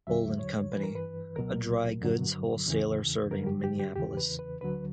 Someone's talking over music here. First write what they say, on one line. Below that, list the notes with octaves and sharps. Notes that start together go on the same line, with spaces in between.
Bull and Company, a dry goods wholesaler serving Minneapolis.
E2 D3 F#3 E5
C#5
G2 E3 B4
A#4
B4
C#2 B2 F#3 A#4
G2 D3 F#3
E2 C#3 E3
F#2 D3 F#3 A#4
G4
G4
G4
E2 C#3 E3 G4
B4
B4
D2 D3 F#3 B4